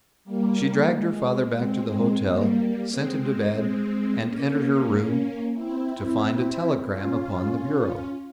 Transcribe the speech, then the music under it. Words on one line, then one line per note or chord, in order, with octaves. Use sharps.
She dragged her father back to the hotel, sent him to bed, and entered her room--to find a telegram upon the bureau.
G3 A#3
G#3
G#3 C4
G3 A#3
G#3 C4
G#3 C4
A#3 C#4
C4 E4
C#4 F4